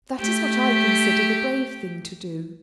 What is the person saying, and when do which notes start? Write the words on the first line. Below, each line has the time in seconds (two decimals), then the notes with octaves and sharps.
That is what I consider the brave thing to do.
0.19 A3 G4